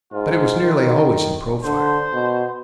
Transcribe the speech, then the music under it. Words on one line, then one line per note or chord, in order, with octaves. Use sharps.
But it was nearly always in profile.
G#2 F4
D#3
D3 C5
B2